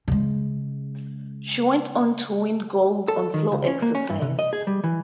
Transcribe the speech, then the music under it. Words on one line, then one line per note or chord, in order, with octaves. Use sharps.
She went on to win gold on floor exercise.
C#3 G#3
A4
D#3
C#2
C#4
A#3
C#4
G2
C3
D#5
G#4
G3
E3